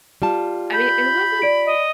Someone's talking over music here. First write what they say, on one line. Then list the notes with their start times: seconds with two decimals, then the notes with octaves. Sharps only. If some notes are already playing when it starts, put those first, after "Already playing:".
I mean, it wasn't
0.22 G3 F4 A5
0.74 B5 G6
1.42 D5 D7
1.66 D#5